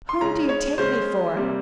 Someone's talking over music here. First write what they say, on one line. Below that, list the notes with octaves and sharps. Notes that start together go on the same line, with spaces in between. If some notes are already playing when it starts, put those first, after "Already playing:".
Whom do you take me for?
C6
C#3 G#3 C#4 A#5
C#5
C#3 G#3 C#4 C5
C3 G3 A#3